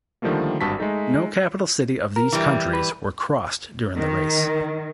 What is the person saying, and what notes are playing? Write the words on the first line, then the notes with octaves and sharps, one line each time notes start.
No capital city of these countries were crossed during the race.
D3 D#3 F3 G3 A3 A#3
G#1 G2 F#4 A5 B6
G#3 A3 D#4 A4
A#4
E3 G3
B4
D#3